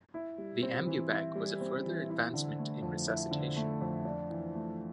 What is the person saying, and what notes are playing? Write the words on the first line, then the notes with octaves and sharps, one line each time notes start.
The ambu-bag was a further advancement in resuscitation.
E4
G3
C4
E3
E4
G3
C4
E3
E4
D3
A3
F2
E4
D3
A3
F2
D4
E3
A3